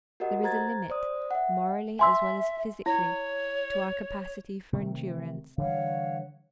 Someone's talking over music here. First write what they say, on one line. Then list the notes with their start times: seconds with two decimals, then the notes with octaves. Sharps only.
There is a limit, morally as well as physically, to our capacity for endurance.
0.20 F#4 G4 A#4 D#5 F#5
0.43 C5 A#5 G#6 A6
0.90 C5 D5 D#6
1.31 E5 F#5
1.99 E5 G#5 C6 E6
2.86 E4 C#5
4.73 C3 D#3 A3
5.58 D3 E3 G3 C#5 F5 F#5